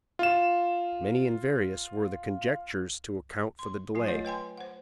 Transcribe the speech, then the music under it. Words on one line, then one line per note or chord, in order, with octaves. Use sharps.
Many and various were the conjectures to account for the delay.
F4 E7
C6
F#3 F4 G#5
A3 F4 C#5 D#5
B4 G5 G#5 C6
C5 F#5